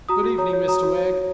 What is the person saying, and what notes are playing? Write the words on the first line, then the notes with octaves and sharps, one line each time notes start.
'Good evening, Mr Wegg.
F#4 A#5 D#6
F#4
C#5 A#5 D#6
C#5
F#4 A#5 D#6
F#4
C#5
C#5